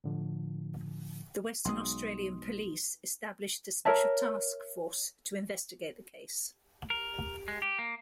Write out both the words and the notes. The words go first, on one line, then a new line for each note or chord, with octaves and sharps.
The Western Australian Police established a special task force to investigate the case.
A2 D3 F3
B1 G#3 C6 D#6
A#4 C#5 E5 A5
A#4
G#3
G4
A#3